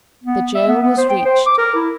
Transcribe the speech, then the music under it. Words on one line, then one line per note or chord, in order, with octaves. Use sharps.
The jail was reached.
B3
E5
B3
B3
C5
G5
C5
D6
A#4
E4